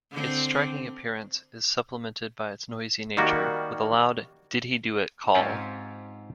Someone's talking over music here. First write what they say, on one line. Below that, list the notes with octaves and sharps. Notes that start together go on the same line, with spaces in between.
Its striking appearance is supplemented by its noisy nature, with a loud "did-he-do-it" call.
D3 C4
D#3 G3 A#3 F#4
G#2 C4 C#4 F4 G4